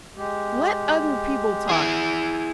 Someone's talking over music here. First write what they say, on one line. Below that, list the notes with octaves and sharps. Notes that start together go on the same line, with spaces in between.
Let other people talk.
G#3 G4
E4 G#4